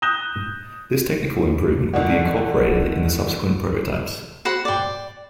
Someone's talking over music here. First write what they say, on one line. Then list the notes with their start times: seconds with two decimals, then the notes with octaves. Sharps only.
This technical improvement would be incorporated in the subsequent prototypes.
0.02 D#6 F#6 G6 A#6 E7 G7
1.94 F#1 D3 D#3 D5 F#5
4.45 F#4 C5 F#5 B5
4.65 D5 G5